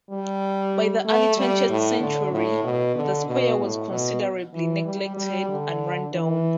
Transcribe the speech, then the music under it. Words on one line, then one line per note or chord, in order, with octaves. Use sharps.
By the early twentieth century the square was considerably neglected and rundown.
G3
A3
G3
A2
D3
A2
B2
D3
B2
A2
B2
E3
G3
G3
D3
E3